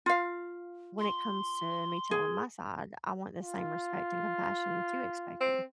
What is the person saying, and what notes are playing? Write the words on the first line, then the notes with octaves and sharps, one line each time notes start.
when it comes to me telling my side, I want the same respect and compassion that you expected.
F4 F5
C6
G#4
F4
C4